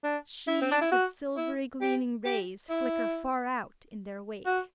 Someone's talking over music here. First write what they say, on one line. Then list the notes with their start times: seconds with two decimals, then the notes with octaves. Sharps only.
Sheaves of silvery-gleaming rays flicker far out in their wake.
0.04 D4
0.47 E4
0.62 C4
0.71 D4
0.81 E4
0.92 F#4
1.37 E4
1.81 G4
2.25 G4
2.70 E4
4.46 F#4